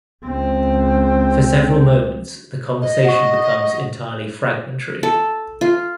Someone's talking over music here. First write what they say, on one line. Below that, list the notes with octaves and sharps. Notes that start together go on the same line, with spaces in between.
For several moments the conversation becomes entirely fragmentary.
C#2 C4
D#5
F#5 C#6
A4
F4